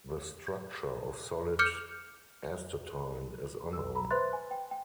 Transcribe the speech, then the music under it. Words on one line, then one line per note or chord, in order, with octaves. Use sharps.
The structure of solid astatine is unknown.
D6 F6 G6 C#7
E6
A#5 B5
B4 C5 E5 C6 F#6 A6
G#5
G5
G5